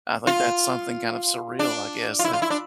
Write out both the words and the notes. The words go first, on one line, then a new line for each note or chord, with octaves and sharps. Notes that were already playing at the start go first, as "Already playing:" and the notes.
I think that's something kind of surreal, I guess, that
F4
D4
F4
E4
F4
E4
D4